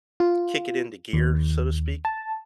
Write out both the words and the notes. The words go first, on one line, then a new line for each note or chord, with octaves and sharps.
kick it into gear, so to speak,
F4
D#2
A5